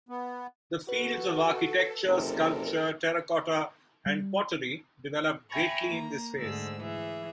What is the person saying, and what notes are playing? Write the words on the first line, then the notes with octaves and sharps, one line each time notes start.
The fields of architecture, sculpture, terra cotta, and pottery developed greatly in this phase.
B3
F#4 A4 B4
F#1 C3 A4 A#4
G3
E5 G5 G#5 A#5 B5 C#6
A#3 A#5
D2 G#2 D3 G#4 E6
E3 G#4 E5